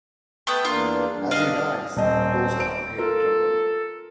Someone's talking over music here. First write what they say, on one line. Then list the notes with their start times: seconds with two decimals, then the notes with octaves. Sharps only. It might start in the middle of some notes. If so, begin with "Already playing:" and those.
As he dies, those around him tremble.
0.47 A3 B3 G5
0.65 E2 A#3 D4 F4
1.09 G2
1.31 D4 D#5 F5
1.97 D#1 C4 D#5
2.60 D7
2.98 F4 A4 A#4